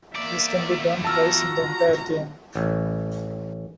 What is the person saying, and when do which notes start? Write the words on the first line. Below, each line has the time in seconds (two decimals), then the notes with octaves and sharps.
This can be done twice in the entire game.
0.15 E2 A#3 D5 E5
1.05 F4 F#4 A5 A#5 E6 F6
2.56 A1